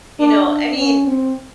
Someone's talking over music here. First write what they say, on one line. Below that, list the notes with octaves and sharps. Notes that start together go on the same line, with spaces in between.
you know I mean,
D4
D4
C#4
C4